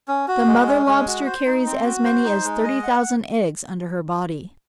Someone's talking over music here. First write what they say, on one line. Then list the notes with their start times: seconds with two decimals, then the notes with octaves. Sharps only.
The mother Lobster carries as many as thirty thousand eggs under her body!
0.08 C#4
0.28 F#4
0.48 G#3
0.67 C#4
0.87 G#3
1.07 F#4
1.26 C5
1.46 D#4
1.66 C4
1.85 F#4
2.05 C5
2.24 D#4
2.44 G#3
2.64 D#5
2.83 F#5